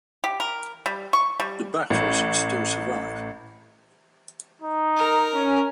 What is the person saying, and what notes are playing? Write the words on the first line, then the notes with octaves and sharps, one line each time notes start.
The batteries still survive.
G4
A#4
G3
C#6
G3
A1
D#4
A#4
C#4